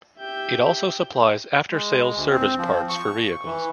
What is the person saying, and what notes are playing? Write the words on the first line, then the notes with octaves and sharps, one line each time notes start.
It also supplies after-sales service parts for vehicles.
G4 E5 G5 G6
G#3
D2
C4
F3
C#6
E3